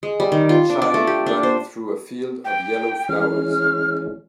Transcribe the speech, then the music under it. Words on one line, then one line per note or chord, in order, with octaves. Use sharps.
A child running through a field of yellow flowers.
G#3
G3
D#3
F4
D4
D5
A3
G4
D4
C5
G5
E3 G#3 C#4 F6